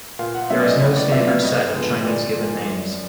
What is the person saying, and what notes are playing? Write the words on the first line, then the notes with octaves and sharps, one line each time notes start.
There is no standard set of Chinese given names.
A#2 F5
F#5
F#3 A3 C#4 E5
D5
D#5
A2 C#5
D5
F#3 B3 D4 F4 E5
F5
G2 D#5
D3 F3 G#3 B3
A#2 D5
F3 A#3
F#2